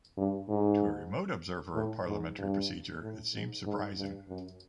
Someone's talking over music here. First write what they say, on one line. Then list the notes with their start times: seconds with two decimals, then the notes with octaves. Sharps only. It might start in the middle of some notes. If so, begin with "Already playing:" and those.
To a remote observer of parliamentary procedure it seems surprising.
0.18 G2
0.48 G#2
1.75 A2
2.07 G#2
2.39 G2
3.02 A2
3.33 G#2
3.65 G#2
3.97 G2
4.28 F#2